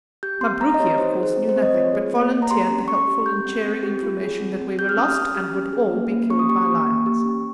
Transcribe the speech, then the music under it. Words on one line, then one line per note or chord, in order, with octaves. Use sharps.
Mabruki, of course, knew nothing, but volunteered the helpful and cheering information that we were lost and would all be killed by lions.
G4 G6
C4 C6
C4 A#5
D#5
G4 C#5
D#4 C5
G#4
C5
C4
C5
C4
D#5
F4 C#5
G#4
A#3
A#3
A#5
G4 C6
C#4
C#4 C#6
G4
G4 G6
C4
C4
G4
F4
G#4
C4
C4
G4 G6
F6
C#4 D#6
F6
C#4
G4
C#4
G#4
A#3
A#3
C#4 C#6
D#6
G4 C#6
A#3
A#3
G4
C#4